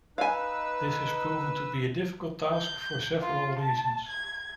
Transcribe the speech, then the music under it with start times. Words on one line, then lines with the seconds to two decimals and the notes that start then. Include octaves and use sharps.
This has proven to be a difficult task for several reasons.
0.18 D#4 B4 F5 G#5 E6
2.55 G6
3.22 F4
3.59 A5
4.07 G#6